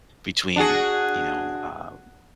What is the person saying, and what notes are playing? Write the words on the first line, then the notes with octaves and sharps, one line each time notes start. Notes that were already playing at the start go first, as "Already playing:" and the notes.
between, you know, um,
D4 F#4 G#4